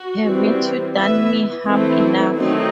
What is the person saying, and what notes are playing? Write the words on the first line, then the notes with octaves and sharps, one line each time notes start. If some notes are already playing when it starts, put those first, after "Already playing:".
Haven't you done me harm enough?
Already playing: F#4
E3 G3 C4
E3 B3 E5
E3 A3 C4 E4
D#3 F#3 A3 C4 D#4